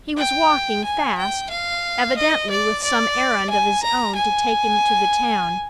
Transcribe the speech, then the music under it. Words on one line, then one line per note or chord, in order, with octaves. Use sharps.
He was walking fast--evidently with some errand of his own to take him to the town.
G5
G#5
G5
F5
D#5
D5
D5
G#5
A#5
G#5